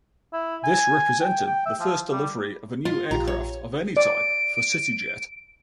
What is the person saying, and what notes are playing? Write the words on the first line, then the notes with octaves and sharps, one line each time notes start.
This represented the first delivery of a new aircraft, of any type, for CityJet.
E4
G#5
G5
G5
E5
F3
G3
F4
A#1 F4 G4 A#5
C#5
D5 D7